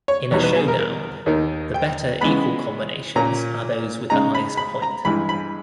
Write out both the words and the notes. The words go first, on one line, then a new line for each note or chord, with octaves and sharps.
In a showdown, the better equal combinations are those with the highest point.
C#5
E2 B2 G3 B3 D#4 C#5
B4
G#4
A#4
A#4
D#2 D#3 A#3 D#4
G5
C#3 E3 G#3 B3 B5
A#2 A#3 C#4 A#5
C#3 G#3 D#4 A#5
B5
B5
A#5
G2 E3 G#3 B5
B5